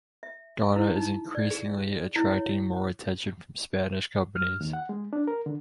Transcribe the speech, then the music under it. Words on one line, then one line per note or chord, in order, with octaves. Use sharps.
Ghana is increasingly attracting more attention from Spanish companies.
E5
E4
D#4
D5
G#4
E4
C#5
F6
D#2
F#5
G#3
D4
A#4
D3